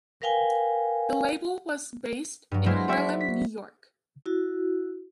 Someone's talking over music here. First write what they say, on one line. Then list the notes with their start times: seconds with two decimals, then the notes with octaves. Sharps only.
The label was based in Harlem, New York.
0.22 A#4 B4 F5 G5 G#5
2.51 G2 F#3
2.66 F#3 G#3 A#3 E4 C5
2.88 F#4 D5 E5
3.21 B6
4.26 E4 F#4